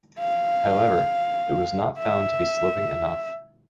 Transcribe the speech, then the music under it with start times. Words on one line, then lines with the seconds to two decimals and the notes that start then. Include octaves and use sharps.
However, it was not found to be sloping enough.
0.19 F5
2.00 E5